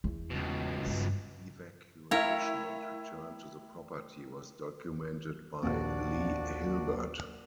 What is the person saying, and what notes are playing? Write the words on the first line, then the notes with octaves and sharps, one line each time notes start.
His evacuation and return to the property was documented by Leigh Hilbert.
E2
C#2 B2
G2
A3 E4 A#4 C#5 E5 F5 G5 B6
A#1 D#2 D4 F#4 D5